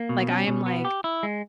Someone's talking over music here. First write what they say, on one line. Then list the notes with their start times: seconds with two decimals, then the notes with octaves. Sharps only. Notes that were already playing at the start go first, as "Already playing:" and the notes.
like, I am like,
Already playing: A#3
0.09 B2
0.28 C#4
0.47 B2
0.66 B3
0.85 G4
1.04 E4
1.23 G#3